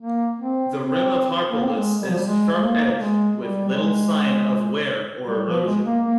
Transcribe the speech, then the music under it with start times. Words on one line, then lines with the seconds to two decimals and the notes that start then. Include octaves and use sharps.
The rim of Harpalus is sharp-edged with little sign of wear or erosion.
0.01 A#3
0.39 C4
0.76 C4
1.51 A#3
1.63 C4
1.69 A#3
1.76 G#3
2.02 G3
2.10 F3
2.18 G3
2.26 G#3
2.52 G#3
2.64 A#3
2.91 A#3
3.01 G#3
3.39 G3
3.68 G3
3.77 G#3
5.27 G3
5.47 F3
5.65 G#3
5.85 A#3
6.03 A#3